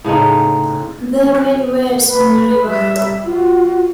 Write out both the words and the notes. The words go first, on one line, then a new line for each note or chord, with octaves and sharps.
There are many weirs on the river.
A2 C#3 C4 D#4
B4
G3 E5
F4 F#4